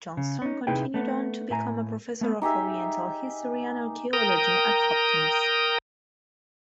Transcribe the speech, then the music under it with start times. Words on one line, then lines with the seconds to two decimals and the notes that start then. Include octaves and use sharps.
Johnston continued on to become a Professor of Oriental History and Archaeology at Hopkins.
0.17 C#3
0.42 C#4 D#4
0.67 C3 D#4 E4 G#4 B4 G5
0.94 A3 B3
1.50 A2 E5 G#5 A#5
2.21 A3 B3
2.42 D#4 G4 G#4 E5
4.13 A#4 G5 A#5 D#6